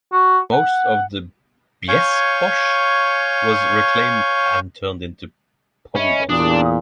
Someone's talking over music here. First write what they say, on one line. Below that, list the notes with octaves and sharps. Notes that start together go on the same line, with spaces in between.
Most of the Biesbosch was reclaimed and turned into polders.
F#4
F#5
C#5 F5 G#5 C#6 G6
C#4 D#5 E5 B5
E2 A#2 D4 G4 D#6